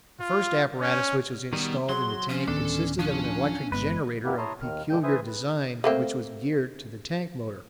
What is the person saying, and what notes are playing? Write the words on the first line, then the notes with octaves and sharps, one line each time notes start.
The first apparatus which was installed in the tank consisted of an electric generator of peculiar design which was geared to the tank motor.
F4
C#4
B2 D#3 G3
F#3 G#4 C6
F3 C#4
D1 D#3 B3 D4 A4
F3 C#4 D4
G1 G#3 B3 B4
F#2 B2 A#3 B3 E4 G4
E4 C#5 A5 A#5 C6 D#6
D#2 D#3 F6
A#2 D3 F3 G#3 G5 G6
E3 B4 C5 E5 G#5 D#6
B4
A3 A#3 C4